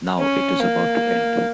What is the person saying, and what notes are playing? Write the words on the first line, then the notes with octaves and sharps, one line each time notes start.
Now it is about to end.
C#4
A#3